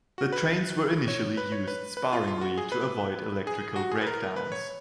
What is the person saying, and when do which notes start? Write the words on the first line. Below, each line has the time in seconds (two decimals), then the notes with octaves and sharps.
The trains were initially used sparingly to avoid electrical breakdowns.
0.18 F#4
0.32 B4
1.08 C#5
1.37 B4
1.52 C#5
1.68 B4
1.97 B4
2.13 F4
2.28 F4
2.41 F#4
2.57 G#4
2.72 B4
3.47 G#4
3.76 F#4
3.92 G#4
4.01 B4
4.06 A#4
4.36 B4
4.52 C#5